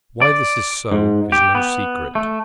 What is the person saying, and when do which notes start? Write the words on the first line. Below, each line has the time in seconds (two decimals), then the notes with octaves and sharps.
Why this is so is no secret.
0.22 D5
0.92 G#2
1.32 G4
1.55 B3
2.15 A3